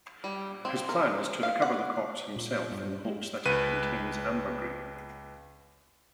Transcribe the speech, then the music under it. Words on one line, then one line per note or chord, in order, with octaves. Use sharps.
His plan is to recover the corpse himself in hopes that it contains ambergris.
G3
C4
A#4
F5
F#5
A#2
G2
G#3
C#2 B4 D#7